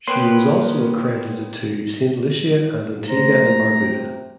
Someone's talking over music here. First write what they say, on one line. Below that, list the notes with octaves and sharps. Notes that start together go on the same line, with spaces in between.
She was also accredited to Saint Lucia and Antigua and Barbuda.
A#3 B3 G4 A#4 B4 C#5 C6
A3 C5 A#5
C3